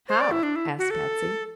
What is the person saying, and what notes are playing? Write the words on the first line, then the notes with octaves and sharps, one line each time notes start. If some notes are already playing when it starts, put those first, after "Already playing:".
"How?" asked Patsy.
C5
D5
E4
D4
E4
F#4
A4